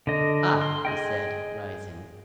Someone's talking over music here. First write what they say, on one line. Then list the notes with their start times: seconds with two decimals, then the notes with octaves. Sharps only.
"Aha!" he said, rising.
0.07 D3 D#5
0.61 C6
0.85 G#4 D#5 G5